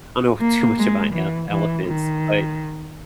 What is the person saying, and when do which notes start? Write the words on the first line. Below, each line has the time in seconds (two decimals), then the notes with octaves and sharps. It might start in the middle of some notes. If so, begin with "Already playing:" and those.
I don't know too much about el elephants, but
0.40 A#3
0.78 G#3
1.13 E3
1.50 E3
1.86 D#3